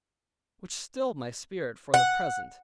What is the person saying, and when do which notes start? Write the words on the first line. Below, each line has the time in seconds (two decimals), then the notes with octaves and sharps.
Which stilled my spirit for the present.
1.94 F#5